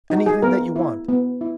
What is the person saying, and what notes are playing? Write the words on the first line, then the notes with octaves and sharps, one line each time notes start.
Anything that you want.
D#4 F#4
G#4
B3 A#4
E4
B3
E4